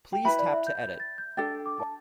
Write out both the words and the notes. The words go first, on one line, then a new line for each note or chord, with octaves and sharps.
Please tap to edit.
G5
E4 B4 E5 G5 B5
D5
E5
G6
G6
A6
G6
D4 A4 G5 A6
D6
A5